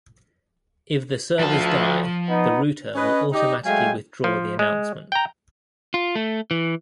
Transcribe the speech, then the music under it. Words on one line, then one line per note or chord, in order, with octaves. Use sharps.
If the servers die, the router will automatically withdraw the announcement.
D2 F3 A5
B3 D#4
C#4 B4 D#5
D#4 G4 D5 D#5
F#3 G#3 A3 F5 G5 G#5
F3
G#3
G5 A#5
F4
A3
E3